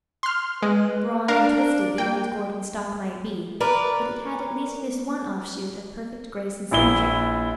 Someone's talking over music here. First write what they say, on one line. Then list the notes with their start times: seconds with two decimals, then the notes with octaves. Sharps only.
Thrawn and twisted the old Gordon stock might be, but it had at least this one offshoot of perfect grace and symmetry.
0.23 C6 F6
0.62 G#3 B4
1.28 D4 A#4 F5
1.98 A#3 G5
3.60 A#4 B4 D5
6.71 A#1 E4 G7